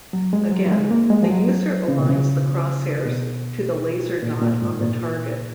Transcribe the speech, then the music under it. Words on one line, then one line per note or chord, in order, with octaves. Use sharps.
Again, the user aligns the crosshairs to the laser dot on the target.
F#3
G#3
F#3
F#3
G#3
A#3
G#3
F3
F#3
C#3
B2
C#3
B2
A#2
A#2
G#2
A#2